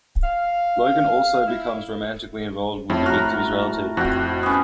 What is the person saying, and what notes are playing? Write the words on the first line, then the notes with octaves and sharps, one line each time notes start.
Logan also becomes romantically involved with the victim's relative.
F5
E4
F2 A2
F#4 A#5 F6
F2 F#4 F#5 G5
B3 C#4